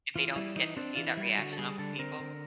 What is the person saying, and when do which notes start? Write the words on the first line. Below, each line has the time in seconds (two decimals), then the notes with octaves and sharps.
If they don't get to see that reaction off of people,
0.16 E3 F4
0.36 G3 E4
0.56 E3 D#4
0.77 C4 D4
0.95 E3 F4
1.07 E4
1.17 G3
1.38 D3 F#4
1.53 A4
1.58 G3 G#4
1.78 D3 A4
1.99 C4 A#4
2.20 D3